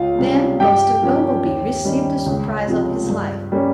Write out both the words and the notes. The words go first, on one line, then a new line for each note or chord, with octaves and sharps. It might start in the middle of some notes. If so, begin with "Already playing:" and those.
Then Buster Bumblebee received the surprise of his life.
Already playing: C#2 F4 F5
C3 G3 C#4
G2 G4 G5
F3 A#3 C#4
D#2
D#3 G3 C#4
C#2
C3 F3 C4
G2
G3 A#3 C#4